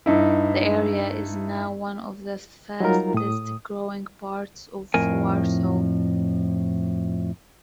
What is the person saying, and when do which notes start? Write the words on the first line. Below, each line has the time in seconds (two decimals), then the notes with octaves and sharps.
The area is now one of the fastest-growing parts of Warsaw.
0.06 G2 D#4 E4
2.80 F#3 G3 D#4 F4 A#4
3.14 A2 D#6
4.94 F2 A2 A#4 G#5